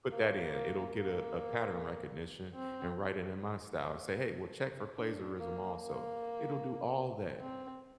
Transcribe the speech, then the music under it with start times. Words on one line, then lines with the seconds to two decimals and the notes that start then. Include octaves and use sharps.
put that in, it'll get a a pattern recognition and write it in my style and say, "Hey, we'll check for plagiarism also." It'll do all that,
0.11 A#3
0.52 A#3
0.93 A#3
2.55 C4
4.97 D4
5.39 A#3
5.79 A#3
7.41 C4